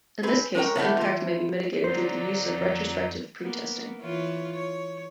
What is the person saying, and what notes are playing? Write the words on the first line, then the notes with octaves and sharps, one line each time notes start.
In this case the impact may be mitigated through the use of retrospective pretesting.
C4 G#4 B4
G#3 C#4 D#4 A#4 G5
E2 F#3 A3 B3 E4 G4
E3 F4
F2 D3 F#3 D#4 C5 D5
A#3 B3
E3 F4 C#5
C#5